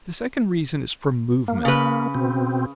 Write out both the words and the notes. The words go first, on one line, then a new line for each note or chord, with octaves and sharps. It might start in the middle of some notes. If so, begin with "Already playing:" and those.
The second reason is from movement.
A#3
C#3 B4
B2 C4